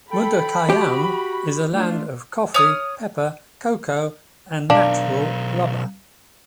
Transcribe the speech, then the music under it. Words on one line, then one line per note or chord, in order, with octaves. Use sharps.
Mundakayam is a land of coffee, pepper, cocoa and natural rubber.
A4 G5 B5
F#4 G4
A3 D4 F4
C#5 D#6 F6
B1 D4 A#4 F5